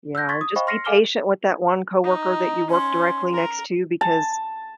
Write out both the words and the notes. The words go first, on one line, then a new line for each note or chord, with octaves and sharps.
Yeah, and just be patient with that one coworker that you work directly next to because,
E6 F#6 G6 A#6
C6 C#6 G#6 A6 B6
D#6
C5 D#5 F5 G5 B5 C#6
C6 F6 A#6 C7 C#7
A4 F5 G#5 D6 F6 G7
D#4
C#4 C6
A#4
A5